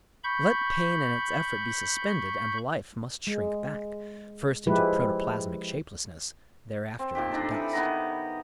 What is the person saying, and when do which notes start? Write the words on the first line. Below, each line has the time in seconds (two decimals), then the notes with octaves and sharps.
Let pain and its effort be suspended, and life must shrink back, first into protoplasmic shapelessness, thereafter into dust.
0.24 B5 C#6 G6
3.27 G#3
4.67 F3 G#3 E4 G4 B4
6.99 C4
7.15 A#2 D#3 G4
7.31 D4 D#4 A4
7.51 E3
7.73 D#3 B3 A#5